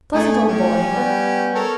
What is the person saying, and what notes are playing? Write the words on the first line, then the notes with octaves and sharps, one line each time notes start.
Pleasant old boy.
A2 A3 G#4
C#4 G4
G3 B3
A4 A#4 C#5